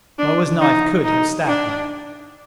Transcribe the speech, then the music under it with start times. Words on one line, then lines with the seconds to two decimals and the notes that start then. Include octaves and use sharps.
Moa's knife could have stabbed me.
0.19 D4
0.61 D#4
1.04 D#4
1.48 D4